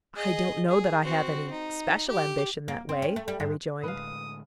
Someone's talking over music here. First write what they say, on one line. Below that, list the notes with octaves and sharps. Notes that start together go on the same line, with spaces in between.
'I don't know that I have any special ambition that way,' I rejoined.
G#4 D#5
G#4
C4 F#4
D#4
G4
A#3
C4
C#4
A3
G3
G#2
A2 D3 G#3 B4 F5 D#6